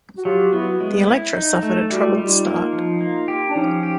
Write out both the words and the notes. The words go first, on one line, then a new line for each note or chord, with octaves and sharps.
The Electra suffered a troubled start.
F#4
F#3 F4 G4
B3 E4 F#4
G#3
E4
D#4
A3
G3 E4 F#4
E4
D#4 F4
G3
D#4 F4
A#3
F3
A#3
G4
D4
F3 C#4 D#4
G4